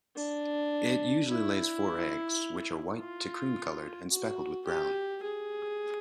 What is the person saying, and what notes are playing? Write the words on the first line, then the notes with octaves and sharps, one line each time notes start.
It usually lays four eggs, which are white to cream-colored and speckled with brown.
D4
E4
F4
F#4
G4
G#4